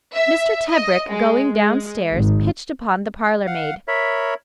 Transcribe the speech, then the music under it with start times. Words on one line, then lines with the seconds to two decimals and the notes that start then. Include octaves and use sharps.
Mr. Tebrick going downstairs pitched upon the parlour-maid.
0.14 E5
0.69 D#5
1.10 G#3
1.52 G#3
2.13 G#1
3.47 F5 F#5
3.88 A#4 C#5 E5 B5